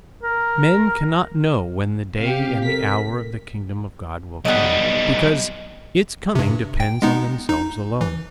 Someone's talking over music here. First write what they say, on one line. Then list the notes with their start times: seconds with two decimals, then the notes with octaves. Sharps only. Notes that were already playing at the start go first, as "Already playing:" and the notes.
Men cannot know when the day and the hour of the kingdom of God will come, because its coming depends on themselves alone.
0.23 A#4
2.19 C3 G4 F5
2.65 A4 A#4 B6
4.45 B1 G3 B3 D#5
6.35 G2 C3
6.80 G5
7.02 G#3 B3 D#4
7.49 D#4
8.01 E3